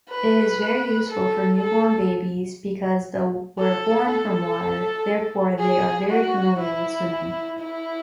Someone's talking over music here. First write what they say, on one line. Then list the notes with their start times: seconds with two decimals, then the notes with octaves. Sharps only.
It is very useful for newborn babies because the were born from water, therefore they are very familiar with swimming.
0.10 B4
1.09 A4
1.59 A4
3.59 A4
4.10 A4
5.59 G#4
6.10 F#4
6.60 E4
7.60 E4